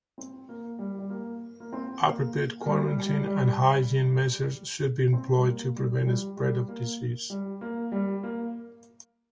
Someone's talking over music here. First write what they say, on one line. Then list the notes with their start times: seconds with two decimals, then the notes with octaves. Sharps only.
Appropriate quarantine and hygiene measures should be employed to prevent spread of disease.
0.18 C4
0.49 A#3
0.79 G3
0.99 G3
1.10 A#3
1.60 A#3
1.73 C4
2.04 A#3
2.61 A#3
2.66 G3
2.85 G3
3.07 G3
3.27 G3
5.13 C4
5.36 G3
5.44 A#3
5.76 G3
6.00 F3
6.06 G3
6.37 G3
6.68 A#3
7.30 G3
7.61 A#3
7.92 G3
8.23 A#3